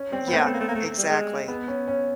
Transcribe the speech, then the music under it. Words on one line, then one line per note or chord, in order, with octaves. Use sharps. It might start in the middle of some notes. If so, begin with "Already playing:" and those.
Yeah, exactly.
Already playing: C#4
G3 C4
B3
A3 C4
A#3
A3
A#3
A3
A#3
A3
G3
G#3
B3
C#4
C#4